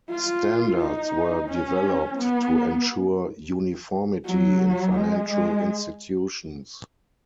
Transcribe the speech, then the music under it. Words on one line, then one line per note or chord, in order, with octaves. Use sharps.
Standards were developed to ensure uniformity in financial institutions.
F4
D#4
C#4
B3
F#3
G#3
G#3